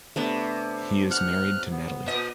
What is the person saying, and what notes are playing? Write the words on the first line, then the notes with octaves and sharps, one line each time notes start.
He is married to Natalie.
C3 A3 B3 D4
F#5 F6 F#6
B3
A#2 D#5